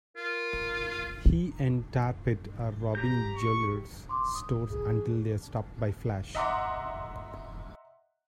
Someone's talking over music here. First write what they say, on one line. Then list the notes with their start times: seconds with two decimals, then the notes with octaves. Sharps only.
He and Tar Pit are robbing jewelry stores until they are stopped by Flash.
0.17 F4 A#4
2.95 G4 A#5 G6
3.35 C#6
4.09 C6 D6
4.35 D#6
4.55 F#2
4.70 A2 E3 G#4
4.86 E3
6.35 D#5 E5 F#5 A#5 C6 D6